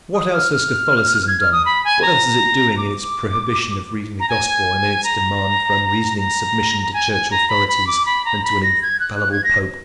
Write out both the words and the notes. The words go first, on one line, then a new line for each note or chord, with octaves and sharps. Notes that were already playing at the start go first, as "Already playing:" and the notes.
What else has Catholicism done, what else is it doing in its prohibition of reading the Gospel, and in its demand for unreasoning submission to Church authorities and to an infallible Pope?
D#6
F6
G#6
F6
D#6
B5
G#5
A#5
D6
A#5
G#5
A#5
A#5
G#5
G#5
A#5
B5
B5
D6
B5
A#5
B5
A#6
G#6
F#6
F#6
G#6
A#6